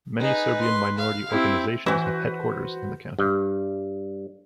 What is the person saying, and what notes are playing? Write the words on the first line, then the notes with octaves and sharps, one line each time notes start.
Many Serbian minority organizations have headquarters in the county.
D#4 G#4 B4
C6
F5
C4 E4 G4
E3 E4 F#4 B4 C5
G2